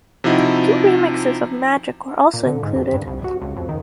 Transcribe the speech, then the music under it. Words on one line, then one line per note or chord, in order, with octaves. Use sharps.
Two remixes of "Magic" were also included.
C3 F3 D#4 E4 F#4
A#2
D3
G#2
F2
G2
C2
F#4
C#2
F2
D#3